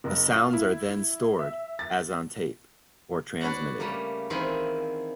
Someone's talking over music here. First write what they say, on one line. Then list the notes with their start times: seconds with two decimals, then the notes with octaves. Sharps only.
The sounds are then stored, as on tape, or transmitted.
0.04 F#1
0.35 F4
0.53 E4
1.39 E5
1.79 A6
3.41 D4 F#4 B4 C#5 F#5
3.80 C#3 G3 A3 A#3
4.30 D#3 E3 C4 E4 F4 G#4